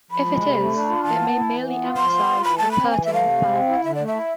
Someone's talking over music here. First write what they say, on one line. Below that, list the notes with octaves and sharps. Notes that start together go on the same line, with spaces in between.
If it is, it may merely emphasize a pertinent fact.
F3 B5
G#3
C3
A3
D4
F4
E3 A5
B3
E4
E3
B3
F4
F3 C6
B3
F4
E3 B5
A3 A5
C4 B5
E3 G#5
A3 E5
F5
C3
G#3
C4
E4
D3 E5
A3 D5
E5
E4